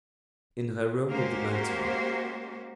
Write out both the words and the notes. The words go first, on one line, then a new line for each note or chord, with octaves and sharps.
"In her room with the notary."
G#3 A#3 C#4 F#4 G4 C5